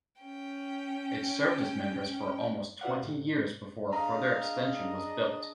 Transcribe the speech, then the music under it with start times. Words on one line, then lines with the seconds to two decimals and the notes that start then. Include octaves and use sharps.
It served its members for almost twenty years before a further extension was built.
0.22 C#4 G5
2.81 E4 F#4 B4 D5 F5 F#5
3.03 A2 C3
3.93 D4 G#4 D#5 F5 A#5